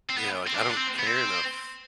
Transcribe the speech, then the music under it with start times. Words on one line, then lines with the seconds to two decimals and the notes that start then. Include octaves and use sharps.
Yeah, like, I don't care enough,
0.09 C4
0.17 B3
0.47 C4
0.55 D4
0.62 C4
0.69 D4
0.77 C4
0.99 B3
1.06 C4